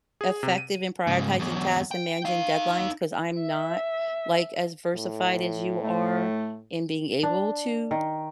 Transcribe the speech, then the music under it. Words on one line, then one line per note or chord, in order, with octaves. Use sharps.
effective in prioritizing tasks and managing deadlines, ‘cause I'm not like as versified as you are in being able to
G#4
C3
D#7
G#2 C#3
E2 F#3
G5
D#4 F5
E5
A2
A3
D4
D#3